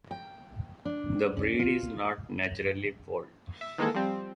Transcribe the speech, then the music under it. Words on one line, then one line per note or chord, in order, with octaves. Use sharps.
The breed is not naturally polled.
G5
D4
C#4
F4
E5
D#3 E3 G#3 A#3 G#4 A4
F3 G3 C4